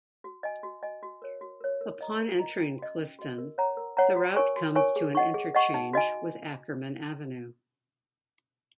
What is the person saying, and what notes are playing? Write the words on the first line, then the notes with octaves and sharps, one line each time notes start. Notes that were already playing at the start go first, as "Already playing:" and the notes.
Upon entering Clifton, the route comes to an interchange with Ackerman Avenue.
F#4
D#5 G#5
F#4
D#5 G#5
F#4
A#4 C#5
F#4
A#4 C#5
A#4
D#5 A#5
A#4
D#5 A#5
C#4
F#4 D#5
C#4
F#4 D#5
A#4
C#5 F#5 A#5
A#4
C#5 F#5 A#5
F#4
A#4 C#5 G#5 C#6
F#4
A#4 C#5 G#5 C#6
G#4
D#5 F#5 C#6
G#4
D#5 F#5 C#6
D#4
F#4 D#5 G#5